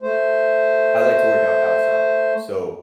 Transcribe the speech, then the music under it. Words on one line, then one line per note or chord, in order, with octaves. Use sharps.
I like to work out outside. So,
A3 C5